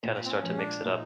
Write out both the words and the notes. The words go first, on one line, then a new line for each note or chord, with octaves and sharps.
kinda start to mix it up.
A#2
C4
C#4
F3
G#3
D4
A#2 D#4